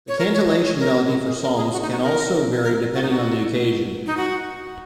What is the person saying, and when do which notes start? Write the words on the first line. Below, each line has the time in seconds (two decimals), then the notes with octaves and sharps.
The cantillation melody for Psalms can also vary depending on the occasion.
0.08 C#5
0.19 A#4
0.34 C#5
0.49 D#5
0.65 C#5
0.80 A#4
1.11 F#4
1.26 G#4
1.42 A#4
1.56 G#4
1.72 F#4
1.82 D#4
1.92 F#4
2.03 A#4
2.64 A#4
2.94 F#4
3.02 D#4
3.10 F#4
4.06 D#4
4.17 F#4